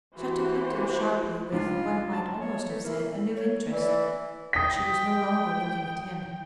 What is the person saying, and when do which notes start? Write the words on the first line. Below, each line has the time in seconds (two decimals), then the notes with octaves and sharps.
Shattuck looked at her sharply, with, one might almost have said, a new interest, but she was no longer looking at him.
0.16 E3 F#4 G4 C5
1.52 C#2 G#2 D4 F4
2.13 A5
2.38 C#5
2.68 A3
2.84 A#3 E4
3.36 C#5
3.71 E3 D5
4.53 G5 D#6 B6